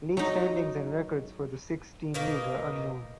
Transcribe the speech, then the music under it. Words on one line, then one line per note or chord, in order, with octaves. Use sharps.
League standings and records for the six–team league are unknown.
F#3 D#4
B2 A#3 D#4